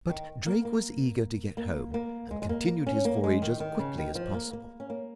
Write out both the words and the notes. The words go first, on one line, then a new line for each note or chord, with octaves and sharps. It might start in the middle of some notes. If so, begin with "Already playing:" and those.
But Drake was eager to get home and continued his voyage as quickly as possible.
D#3
A#3
A#3
A#3
A#3
G#3
G#3
A#3
A#3
C#4
A#3
G#3
D#3
D#3
C#3
D#3
F3
A#3
A#3
C#4
A#3